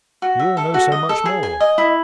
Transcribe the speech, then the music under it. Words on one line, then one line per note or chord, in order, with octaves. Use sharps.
You all know so much more.
F#4
E5
A4
F#4
D#5
A4
G#4
G#5
D#5
E4